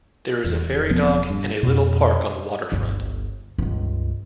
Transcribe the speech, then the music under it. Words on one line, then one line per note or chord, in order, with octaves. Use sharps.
There is a ferry dock and a little park on the waterfront.
D#1 E2
E1 F3 B3 C4
G2
F2 B2
G1 C#2
C#2 G2